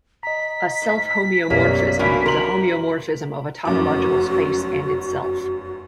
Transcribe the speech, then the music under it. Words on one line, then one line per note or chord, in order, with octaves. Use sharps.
A self-homeomorphism is a homeomorphism of a topological space and itself.
D#5 A#5 B6
G#2
B1 F#2 G3 A#3 G4 C#5 E5
G2 A#3 C#4 F#4
A#4 C6 F#7
F1 F#2 F#4 D6